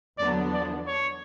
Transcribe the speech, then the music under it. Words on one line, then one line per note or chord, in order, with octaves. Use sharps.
Oh, no.
E2 D3 F#3 B3 D4 D5
D5
C#5